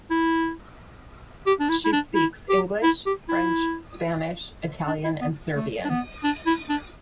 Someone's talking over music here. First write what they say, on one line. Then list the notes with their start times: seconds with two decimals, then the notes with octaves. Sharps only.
She speaks English, French, Spanish, Italian and Serbian.
0.10 E4
1.46 G4
1.60 D4
1.69 E4
1.85 E4
1.93 D4
2.15 E4
2.49 G4
2.83 E4
3.06 G4
3.29 E4
4.87 D4
5.05 E4
5.21 B3
5.56 A3
5.85 D4
5.90 B3
6.24 D4
6.46 E4
6.69 D4